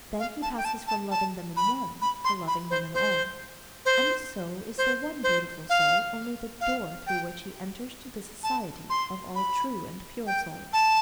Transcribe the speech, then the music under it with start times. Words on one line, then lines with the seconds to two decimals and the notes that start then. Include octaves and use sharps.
Then he passes from loving them in one to loving them in all, and so is the one beautiful soul only the door through which he enters to the society of all true and pure souls.
0.19 F5
0.42 A5
0.57 G5
0.65 A5
0.87 A5
1.11 A5
1.57 B5
2.02 B5
2.25 C6
2.47 B5
2.70 C5
2.94 C5
3.85 C5
4.78 C5
5.23 C5
5.69 F5
6.61 F5
7.07 G5
8.43 A5
8.90 C6
9.35 B5
10.27 G5
10.73 A5